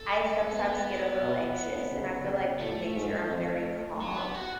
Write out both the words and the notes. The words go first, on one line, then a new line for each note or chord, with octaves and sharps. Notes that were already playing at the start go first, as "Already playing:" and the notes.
I sometimes get a little anxious and I feel like in nature I'm very calm.
Already playing: A4
B3
B2
C#3
C#3
A2 A3
G#2
F2
F#3
B3
F#4